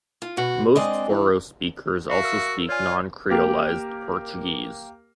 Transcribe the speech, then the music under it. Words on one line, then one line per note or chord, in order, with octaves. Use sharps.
Most Forro speakers also speak non-creolised Portuguese.
F4
B2 F#4
G#3 C4 D4 D#5
E3
F#4 E5 F5
A#4 E6
F4 C#5 D5 G#5
A#3 G4 A#4